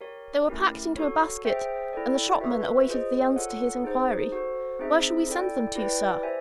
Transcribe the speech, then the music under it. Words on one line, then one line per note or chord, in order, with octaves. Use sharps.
They were packed into a basket, and the shopman awaited the answer to his inquiry, 'Where shall we send them to, sir?'
G4 A#4 C#5
A3 C#4 E4 G4 A#4
F#4 A4 C#5
G#4 C5 E5 G5
E4 A4 D5 G5
F#4 B4 E5
F4 G#4 C5 D#5
F4 A4 C#5 F#5
D#4 G#4 C5
F#4 A4 C5
C4 D#4 G#4 C5 E5
E4 A4 D5 G5
E4 G4 B4 D5 G5
G4 C5 E5 G#5